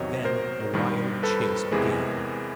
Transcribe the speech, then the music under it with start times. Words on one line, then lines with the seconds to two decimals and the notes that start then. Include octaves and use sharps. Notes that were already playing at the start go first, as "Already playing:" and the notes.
Then a wild chase began.
Already playing: E2 C3 D#3 F#3 C#5 D#5
0.24 A#4 C5
0.74 G2 D#3 G3
1.23 A4 B4
1.71 E2 C3 E3 G#3 G#4 A#4